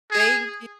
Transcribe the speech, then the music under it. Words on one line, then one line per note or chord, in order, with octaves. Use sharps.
Thank you
G#4